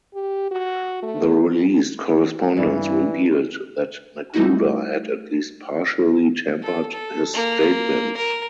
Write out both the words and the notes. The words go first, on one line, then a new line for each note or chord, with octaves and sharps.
The released correspondence revealed that Magruder had at least partially tempered his statements.
G4
F#4
A3
G2 E3
G3 A3 D#4 E4 F#4
A4
A4
A#3
A#4